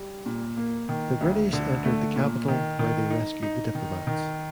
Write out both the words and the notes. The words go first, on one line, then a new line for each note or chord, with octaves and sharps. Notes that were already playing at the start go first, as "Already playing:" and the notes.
The British entered the capital, where they rescued the diplomats.
Already playing: G3
A#2
A#3
D#3
D2
D3
A3
A#2
D#3
D#3
D#4
D#4
D#3
D#3